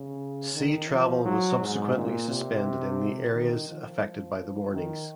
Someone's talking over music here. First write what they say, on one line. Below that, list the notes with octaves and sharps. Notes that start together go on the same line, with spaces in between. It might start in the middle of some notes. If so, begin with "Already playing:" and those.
Sea travel was subsequently suspended in the areas affected by the warnings.
Already playing: C#3
D#3
F3
F#3
G#2
A#2
C3
D#3
F3
D#3